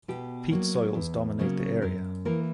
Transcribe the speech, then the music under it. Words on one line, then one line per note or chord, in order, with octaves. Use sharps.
Peat soils dominate the area.
B2 G4
F#3 A#3
E2
C#3 F#3 A#3
F#2 A#4
E3 A#3 A#4